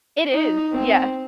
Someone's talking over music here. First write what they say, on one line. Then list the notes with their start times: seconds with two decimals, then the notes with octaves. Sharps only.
It is, yes,
0.32 D#4
0.72 C4